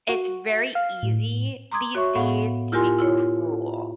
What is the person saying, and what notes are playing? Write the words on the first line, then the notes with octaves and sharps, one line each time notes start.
it's very easy these days to be cruel.
F#4
F5
A2
A#5 C6 D6 D#6 G#6
F#4 C#5 E5 C#6
A2 B3 F5 F#5
E4 F4 G4 A#4 G#5 C6
E4 F4 C#5